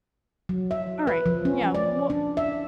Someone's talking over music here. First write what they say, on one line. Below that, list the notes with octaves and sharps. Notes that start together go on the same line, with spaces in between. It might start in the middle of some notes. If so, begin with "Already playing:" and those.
Alright. Yeah, wha
F#3
E5
B4
F3
C#4
D5
D4
E5